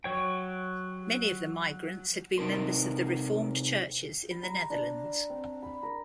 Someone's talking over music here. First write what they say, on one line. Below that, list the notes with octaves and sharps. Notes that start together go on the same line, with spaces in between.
Many of the migrants had been members of the Reformed Churches in the Netherlands.
F#3 C#5 G5
C3 D#4 A#4 C6
B5
A#5
D4
C4
B5
A#4